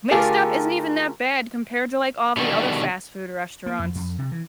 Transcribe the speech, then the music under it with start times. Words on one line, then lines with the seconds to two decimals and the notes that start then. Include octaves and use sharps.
Wingstop isn't even that bad compared to, like, all the other fast food restaurants.
0.11 D3 A3 F4 G4 G#4 A#4
2.37 B2 D3 D#3 G3
3.66 A#3
3.79 F2
3.95 F2
4.18 C3
4.32 E3